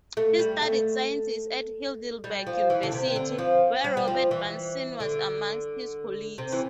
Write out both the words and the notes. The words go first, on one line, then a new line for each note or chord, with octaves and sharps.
He studied sciences at Heidelberg University, where Robert Bunsen was amongst his colleagues.
A3
G3
A3
G3
F3
E3
D3
C3
D3
F3
G3
G3
F3
E3
D3
C3
E3